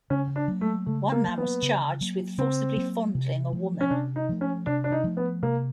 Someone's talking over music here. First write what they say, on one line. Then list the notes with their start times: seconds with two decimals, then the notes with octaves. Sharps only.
One man was charged with forcibly fondling a woman.
0.10 C#3 C#4
0.36 D4
0.48 F#3 A#3
0.61 A3
0.86 C#3 A3
1.12 A#3
1.24 F#3 A#3
1.38 B3
1.62 C#3
2.01 F#3 A#3
2.38 C#3 C4
2.76 F#3 A#3
3.15 C3
3.53 F3 A3
3.81 C#4
3.90 C3 D4
4.16 D#4
4.29 F3 A3
4.41 C#4
4.66 C3 D4
4.84 D4
4.92 D#4
5.04 F3 A3
5.17 B3
5.43 C3 A#3